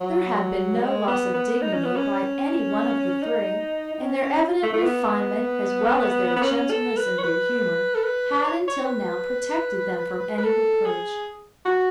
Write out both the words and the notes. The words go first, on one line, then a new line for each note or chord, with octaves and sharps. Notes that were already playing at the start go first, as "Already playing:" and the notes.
There had been no loss of dignity by any one of the three, and their evident refinement, as well as their gentleness and good humor, had until now protected them from any reproach.
F#3
G#3
B3
B3
D#4
C#4
B3
C#4
D#4
D#4
C#4
C#4
A3
A3
B3
B3
C#4
A4
B4
C#5
B4
A4
B4
C#5
C#5
B4
B4
A4
G#4
F#4